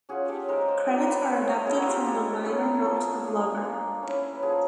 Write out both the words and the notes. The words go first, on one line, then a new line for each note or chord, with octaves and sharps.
Credits are adapted from the liner notes of "Lover".
C#4 F4 F#4 G#4
G4 A4
G#3 A#4 C5
D#5
C5 D5
C4 F4 C5 D5
B4 C#5
A3 C5 D5
C#5 D#5
C4 E4 G#4 A#4
F#4
F4 G4
G#3 G4 A4
C#4 E4 G#4 A#4
A4
F3 G#4 A#4
A3 D4
A#3
C#4 E4
B4
F3 G#4 A#4